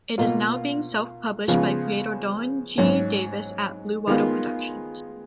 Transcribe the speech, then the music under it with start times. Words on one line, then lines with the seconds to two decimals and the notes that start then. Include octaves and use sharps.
It is now being self-published by creator Darren G. Davis at Bluewater Productions.
0.18 B2 A#3 F4
1.48 C#3 F3 G#3 B3 F4
2.78 G#2 F#3 C#4
4.07 D#3 G#3 B3 F4